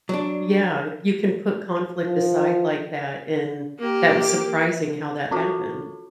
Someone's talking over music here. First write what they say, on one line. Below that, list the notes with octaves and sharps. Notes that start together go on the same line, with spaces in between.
yeah, you can put conflict aside like that, and that was surprising how that happened.
F#3 D4
F3
A#3 G4
C#4 F4 F#4 A4